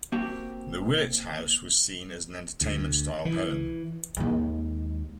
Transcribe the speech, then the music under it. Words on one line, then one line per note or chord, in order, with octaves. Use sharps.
The Willits House was seen as an entertainment-style home.
A#3 C4 F#4 G4
D2
E3
D#2 G#3